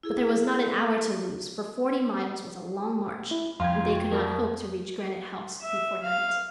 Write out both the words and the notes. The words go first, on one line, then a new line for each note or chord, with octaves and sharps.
But there was not an hour to lose, for forty miles was a long march, and they could not hope to reach Granite House before night.
E4 G#4 A4
E4
C2 F2 F5 G5 C6 G#6
F4 F#4
F#3 A#4 D5
E5
F5